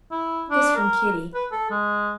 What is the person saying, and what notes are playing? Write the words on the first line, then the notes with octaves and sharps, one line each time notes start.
This from Kitty.
E4
D4
A#4
B4
A4
G#3